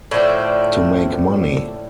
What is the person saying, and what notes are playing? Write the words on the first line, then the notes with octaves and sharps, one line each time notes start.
To make money.
A2 D3 F3 D5